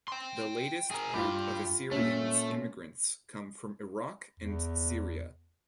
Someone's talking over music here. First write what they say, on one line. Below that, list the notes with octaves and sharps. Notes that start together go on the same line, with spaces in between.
The latest group of Assyrians immigrants come from Iraq and Syria.
G5 C6
G#4 A#4
G2 F4 G4 G5 B5
A#2 A3 C#4
E2